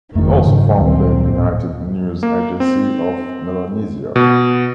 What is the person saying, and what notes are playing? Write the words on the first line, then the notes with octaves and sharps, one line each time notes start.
He also founded the United News Agency of Melanesia.
F#1 F2 D#3 A3
G#2 C#3 D4
D2 A#2 D#3 G3 C4
D1
A#3
C4
B2